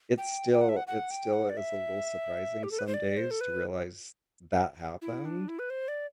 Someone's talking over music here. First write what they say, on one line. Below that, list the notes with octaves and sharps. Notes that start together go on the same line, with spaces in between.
it's still it still is a little surprising some days to realize that happened,
G5
G5
F#5
E5
F#5
F#5
G5
F#5
D5
E5
G4
A4
B4
C5
D5
C5
A4
B4
E4
D4
E4
B4
C5
D5